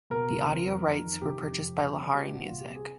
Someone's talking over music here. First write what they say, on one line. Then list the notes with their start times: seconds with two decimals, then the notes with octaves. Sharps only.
The audio rights were purchased by Lahari Music.
0.10 B2 A#4
0.30 C#2
0.48 C4
0.66 F2
0.84 F2
1.03 D#3
1.21 C3 G4
1.41 F2
1.58 F2
1.77 C2
1.96 C4
2.14 G3
2.25 G4
2.33 A#2 F#4
2.47 C2 F4
2.61 G4
2.70 C4 G#4